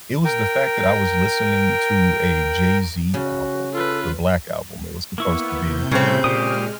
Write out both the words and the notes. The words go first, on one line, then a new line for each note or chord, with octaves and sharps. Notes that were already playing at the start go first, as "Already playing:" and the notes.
it was the fact that I was listening to a Jay-Z album, The Black Album, it was supposed to be
A#4 G5
C#3 F#4
F4 A4 B4
A#3 B3 E4 C#6
C3 G6
A2 C#3 G3 A3 C4
A#2 G#3 G4 G5 D#6 F6